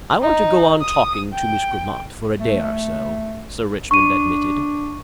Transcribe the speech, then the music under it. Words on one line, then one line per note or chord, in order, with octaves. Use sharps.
"I want to go on talking to Miss Grammont for a day or so," Sir Richmond admitted.
D#4
D#6
G5
A3
D4 C#6 D#7